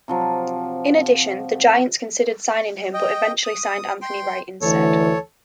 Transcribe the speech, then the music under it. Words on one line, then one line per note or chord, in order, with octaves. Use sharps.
In addition, the Giants considered signing him but eventually signed Anthony Wright instead.
C3 F3 F#3
D#5 G5
D#6
G5 C6
D2 E3 A4 C#5